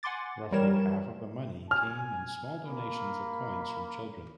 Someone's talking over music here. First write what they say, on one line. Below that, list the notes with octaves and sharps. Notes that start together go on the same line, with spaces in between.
Roughly half of the money came in small donations of coins from children.
F#5 G#5 C6 D6 A6
E3 F3 G3 A#4 C#5 E7
G#5 F6
A#3 B5